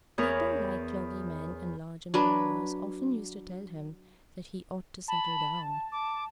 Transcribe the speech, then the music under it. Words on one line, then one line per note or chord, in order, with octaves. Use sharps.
People like clergymen and large employers often used to tell him that he ought to settle down.
E2 B3 A#4 C#5
F#3 D4 B4
A5 B5
D6